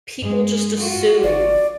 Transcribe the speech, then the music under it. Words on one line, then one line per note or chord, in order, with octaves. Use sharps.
people just assume
G2 G#3
F4 F#4
G1 D5